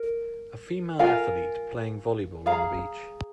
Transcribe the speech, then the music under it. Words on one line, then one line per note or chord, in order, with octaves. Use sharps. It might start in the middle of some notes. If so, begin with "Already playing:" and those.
A female athlete playing volleyball on the beach.
Already playing: A#4
F4 A#4 F5 G#5
G#4 F5 A#5